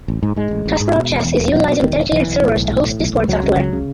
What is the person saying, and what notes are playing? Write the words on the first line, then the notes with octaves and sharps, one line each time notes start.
Kasparov Chess is utilizing dedicated servers to host Discord software.
A1
G#2
G#2 G#3
A1
A1
G#2
B2
E1
E2
E1
B2 F#3
B2
E1 D#3
E1
B1 E3
B1
A2
B1
A2
A2
B1
B1
C#2 F#3
C#3
C#2 F#3
C#3